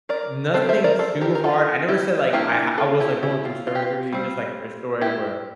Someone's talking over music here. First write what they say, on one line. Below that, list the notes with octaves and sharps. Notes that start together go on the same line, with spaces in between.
nothing too hard, I never said, like, I ha I was, like, going through surgery, just like your story, where
A#4 D5
G3 C4 A4 C5
C5 E5
A#4 D5
A4 C5
G4 A#4
A#4
F4 A4
E4 G4
F3 A#3 D4 E4 G4
F4 A4
E4 G4
E4 G4
F4
F4
G4
F4
G3 C4
E4 G4